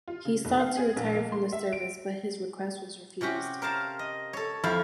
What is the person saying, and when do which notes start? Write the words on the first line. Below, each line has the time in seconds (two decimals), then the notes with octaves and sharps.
He sought to retire from the service but his request was refused.
0.08 F4
0.25 C#3
0.45 F1
0.60 F5
0.77 G#4
0.96 A#1
1.15 A#3
1.32 C6
1.53 E5
1.73 D7
3.21 C3 C#4 F#4 G4
3.62 A#4 C5 F5 A5
3.99 D#5
4.33 A4 C#5
4.64 F2 F3 E4 F5